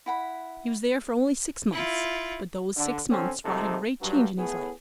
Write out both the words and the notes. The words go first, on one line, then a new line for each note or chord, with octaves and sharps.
He was there for only six months, but those six months wrought a great change in his life.
E4 F#5 B5
E4 F4
D3
D3 C4 C#4
G#1 F2 C3 G#3 D#4 A4
G2 F#3
A2 B3 G#4